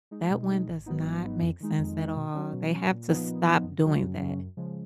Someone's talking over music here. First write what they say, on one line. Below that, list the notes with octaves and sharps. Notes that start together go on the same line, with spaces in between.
That one does not make sense at all, they have to stop doing that.
G#3 D#4
B2
G#3 D#4
G#1
G#2 F#3 B3 D#4
G#1
G#2 F#3 B3 D#4
F2
D#3 G#3 D#4
F2
D#3 G#3 D#4
B2
F#3 C#4
B2
F#3 C#4
A#2
F3 B3 D#4
A#2
F3 B3 D#4
F#2
C#3 F#3 C#4
F#2
C#3 F#3 C#4
F#2
C#3 F3 G#3